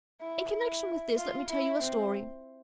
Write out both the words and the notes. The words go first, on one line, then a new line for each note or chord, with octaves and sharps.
In connection with this, let me tell you a story.
E4
E4
F4
E4
C4